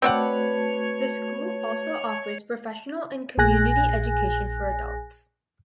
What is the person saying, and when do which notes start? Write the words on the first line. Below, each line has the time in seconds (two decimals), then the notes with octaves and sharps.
The school also offers professional and community education for adults.
0.02 A3 C4 F#4 B4 C#5 D5 F#5 A5
3.38 A#1 A#2 G#4 G#5 F#6 A#6